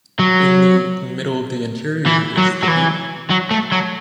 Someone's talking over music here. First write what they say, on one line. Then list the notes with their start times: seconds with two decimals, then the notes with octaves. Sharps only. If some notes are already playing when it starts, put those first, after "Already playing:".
In the middle of the interior is the Bema.
0.20 F#3
2.06 E3
2.37 F#3
2.63 F#3
2.68 E3
3.31 F#3
3.51 A3
3.72 F#3